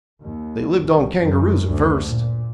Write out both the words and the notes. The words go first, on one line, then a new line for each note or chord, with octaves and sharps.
They lived on kangaroos at first.
D#2
C2
F#2
D2
A#2